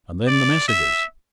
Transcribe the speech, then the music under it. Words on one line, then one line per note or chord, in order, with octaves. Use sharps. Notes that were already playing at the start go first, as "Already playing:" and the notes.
And then the messages!
D5
E5